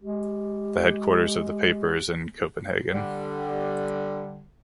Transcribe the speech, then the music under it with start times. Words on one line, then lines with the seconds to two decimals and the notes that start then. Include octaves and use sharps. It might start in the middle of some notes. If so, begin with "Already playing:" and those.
The headquarters of the paper is in Copenhagen.
0.02 G#3 G4
2.94 D3 G3